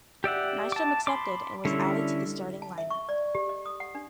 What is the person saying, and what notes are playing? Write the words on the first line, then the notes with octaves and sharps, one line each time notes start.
Nystrom accepted, and was added to the starting lineup.
G4 D5 E5 F#5
A5 D6
B5 C6 D6
D3 G3 C#4 E4
A5
E5
C#6
D5
G4
D#5
D#6
F#5
D4